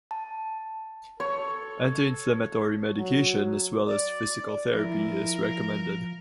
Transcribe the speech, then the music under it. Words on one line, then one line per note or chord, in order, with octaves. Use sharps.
Anti-inflammatory medication as well as physical therapy is recommended.
A5
A4 C#5
F#3
D5
F3 E4 A#4